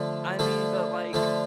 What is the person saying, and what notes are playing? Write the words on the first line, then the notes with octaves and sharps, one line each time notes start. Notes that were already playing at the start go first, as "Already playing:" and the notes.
I mean, but like
Already playing: D3 F3 A3
D3 F3 A3
D3 F3 A3